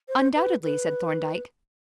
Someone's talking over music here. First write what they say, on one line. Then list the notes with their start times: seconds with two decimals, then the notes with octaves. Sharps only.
"Undoubtedly," said Thorndyke.
0.08 C5
0.36 B4
0.63 B4